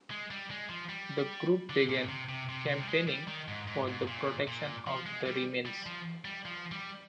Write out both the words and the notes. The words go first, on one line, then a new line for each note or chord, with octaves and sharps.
The group began campaigning for the protection of the remains.
G#3
G3
G#3
F3
G3
D3
A#2
C3
C3
C3
C3
G3
G#3
G3
D#3
G#2
G#2
G#2
A#2
A#2
F3
G#3
G3
G3
F3
G3
F3
G3